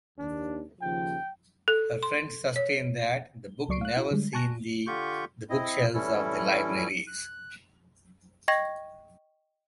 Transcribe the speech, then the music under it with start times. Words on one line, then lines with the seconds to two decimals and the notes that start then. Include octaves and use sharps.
Her friends sustain that the book never seen the bookshelves of the libraries.
0.18 D#2 D4
0.81 D#2 C#3 F3 G5
1.68 A4
2.03 C6
2.56 C#5
3.69 C#2 F#3 D5 C#6 C7 D7
3.81 F5 F#6
3.97 E4 F#4
4.11 D3 G3 G#3
4.33 G#5 A5 C#6 F#6 A#6
4.87 D3 F4 G4 C#6 G6
5.50 C4 E4 D#5
5.94 A2 E3 G3 C#4 E4 A4
7.07 F#6
8.48 D#5 G5 C#6 G#6 A#6